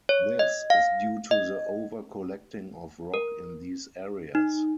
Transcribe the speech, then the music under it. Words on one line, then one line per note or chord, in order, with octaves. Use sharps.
This is due to the over-collecting of rock in these areas.
C#5
D#5
F5
D#5
A#4
D#4